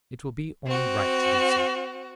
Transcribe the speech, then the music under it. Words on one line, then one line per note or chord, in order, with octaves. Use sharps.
"It will be only right to do so."
C4 F#4